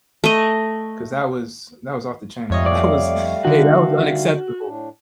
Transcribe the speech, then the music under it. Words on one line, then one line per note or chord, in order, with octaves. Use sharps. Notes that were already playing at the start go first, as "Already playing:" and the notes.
'cause that was that was off the chain, and that was hey, that was unacceptable.
A3 D#5
F2 G3 A3 C#5 D#5 F5
D5
D3 D#3 F#4
A2 D4